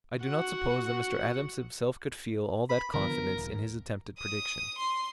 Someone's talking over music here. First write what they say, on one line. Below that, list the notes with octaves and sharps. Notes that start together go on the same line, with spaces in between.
I do not suppose that Mr. Adams himself could feel all that confidence in his attempted prediction.
F#4 F#5
B5
D3 F3 B3 A#4
D#1
D#6
C6